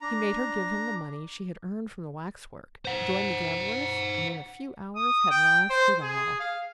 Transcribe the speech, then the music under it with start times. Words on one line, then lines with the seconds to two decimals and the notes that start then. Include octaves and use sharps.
He made her give him the money she had earned from the waxwork, joined the gamblers and in a few hours had lost it all.
0.01 D4 A#5
2.85 C5 F#5
4.96 D#6
5.30 G5
5.70 C5
6.02 G#4
6.40 F5